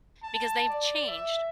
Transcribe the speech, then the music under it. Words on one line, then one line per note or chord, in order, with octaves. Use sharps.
because they've changed
A5
D5
E5